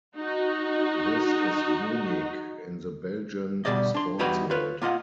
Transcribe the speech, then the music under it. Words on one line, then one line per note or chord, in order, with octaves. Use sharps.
This is unique in the Belgian Sports World.
D#4 F#4
D2 B2 G3 D5 D#5
D4 C6
E2 G3 D#4 F#4 B4 B5
F4 B4 C#5
A#3 F4 D#5 F#5